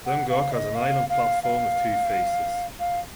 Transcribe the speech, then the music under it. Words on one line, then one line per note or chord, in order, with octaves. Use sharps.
Dungog has an island platform with two faces.
F#5
F5
D#5
F5
F5
F5
F5